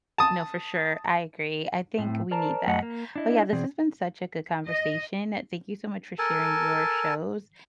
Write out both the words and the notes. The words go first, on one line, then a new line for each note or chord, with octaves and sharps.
No, for sure, I agree, I think we need that, but yeah, this has been such a good conversation, thank you so much for sharing your shows
A5 D#6
A2 C4
A#4 C5 D5 A5 A#5
F#2 A3 D#5 F#5
A#3
D4 E4 D#5
B2 E3 C4 G#4 D5
D#5
A4 A#4 G#5 A5